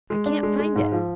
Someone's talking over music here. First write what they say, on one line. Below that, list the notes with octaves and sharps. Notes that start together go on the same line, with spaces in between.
I can't find it.
G#3
D4
G#3
G#3
G#2
F3